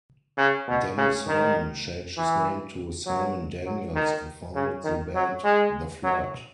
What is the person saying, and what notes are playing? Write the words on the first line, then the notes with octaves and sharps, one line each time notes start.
Danny Simon changed his name to Simon Daniels and founded the band The Flood.
C#3
B2
C#3
D#3
E3
F#3
F#3
D#3
C#3
D#3
F#3
G#3
F#3